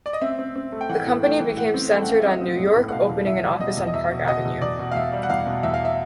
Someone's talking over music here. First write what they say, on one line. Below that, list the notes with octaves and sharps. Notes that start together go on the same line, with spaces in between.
The company became centred on New York opening an office on Park Avenue.
D5
D#5
C4 E5
C4
C4
A3
G5
E3 F#5
A2
A3 G5
E3
A2 F#5
C4
A3 G5
F#5
C4 F5
E5
C4 D#5
C4
A2
A2
F#5
B2 F5
E2
E2 E5
G3
B2 D#5
E2
D#5
E2 E5
B2
B2 D#5
E2
E2 D5
B2
F5
E2 E5
G3
F#5
E2 F5
B2
E2 E5
F5
E5